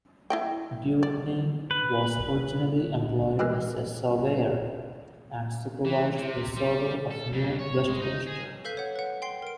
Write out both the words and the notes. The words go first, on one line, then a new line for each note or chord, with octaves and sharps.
Dewdney was originally employed as a surveyor, and supervised the survey of New Westminster.
E4 D#5 G5
D5
B4
B2 D#3 E3 G#3
E3
C3
G3
A4
F2
C#5
G#3
D#4
G#4
A4 B4 F5 G6 B6
C#5 F#5
B4 F#5
G5 C6 C7 G7
A#4 D7